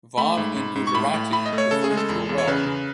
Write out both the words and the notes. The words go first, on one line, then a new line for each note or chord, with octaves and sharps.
Vav in Gujarati refers to a well.
A3 B5
G#2
G#2
G#2
C#6
A2 B5
A2
A3 B5
D#5
A3
C#5
C#3 A4
G#4
G#3
A4
E2
E2
C#5
C#3 B4
C#3